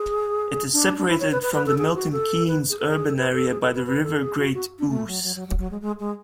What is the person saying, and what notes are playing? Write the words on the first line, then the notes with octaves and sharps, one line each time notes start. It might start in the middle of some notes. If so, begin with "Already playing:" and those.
It is separated from the Milton Keynes urban area by the River Great Ouse.
Already playing: G#4
D4
D4
E4
C#5
B4
B4
B4
A4
G#4
F#4
A4
B4
G#4
A4
G#4
A4
B4
A4
G#4
A4
B4
B4
A4
G#4
F#4
F#4
D4
A3
F#3
F#3
F#3
F#3
F#3
G#3
G#3
G#3